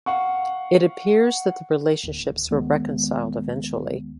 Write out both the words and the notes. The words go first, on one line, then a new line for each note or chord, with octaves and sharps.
It appears that the relationships were reconciled eventually.
F5 F#5 C#6
D1 G#1 D#2
D#2 D#3 G#3 B3